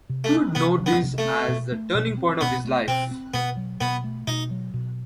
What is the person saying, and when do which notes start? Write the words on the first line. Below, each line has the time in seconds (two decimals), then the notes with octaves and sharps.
He would note this as the turning point of his life.
0.09 C3
0.24 A3
0.32 C4
0.55 C3 B3
0.79 F#3
0.86 B3
1.03 C3
1.18 A3
1.25 C4
1.48 B2
1.72 A3
1.94 B2
2.18 C4
2.41 B2 B3
2.65 A3
2.88 B2 C4
3.11 C4
3.34 B2 B3
3.57 F#3
3.81 B2 B3
4.04 A3
4.27 B2 D#4
4.51 F#3
4.74 B2